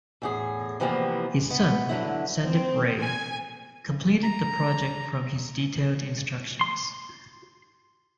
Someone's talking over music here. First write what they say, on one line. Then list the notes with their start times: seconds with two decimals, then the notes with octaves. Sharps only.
His son, Sandip Ray, completed the project from his detailed instructions.
0.22 E2 A2 G#4
0.80 C3 E3 F3 G3 A#3 B3
1.50 B3
1.89 D3 F#3 E4
2.43 C4
2.98 G#5
4.23 A#5
6.61 C6